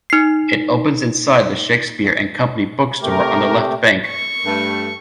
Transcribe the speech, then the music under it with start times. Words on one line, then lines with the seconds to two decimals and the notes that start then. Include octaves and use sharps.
It opens inside the Shakespeare and Company bookstore on the Left Bank.
0.10 D#4 C7
3.01 C3 A3 G4 A#4
4.07 C#6
4.46 G2 A3